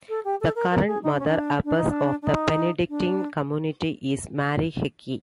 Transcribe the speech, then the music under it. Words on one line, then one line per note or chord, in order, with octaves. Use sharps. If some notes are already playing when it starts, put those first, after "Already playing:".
The current Mother Abbess of the Benedictine Community is Marie Hickey.
A4
G4
A4
A#4
A#4
G#4
D#4
D4
C#4
D4
D4
D#4
D4
D4
D#4
D4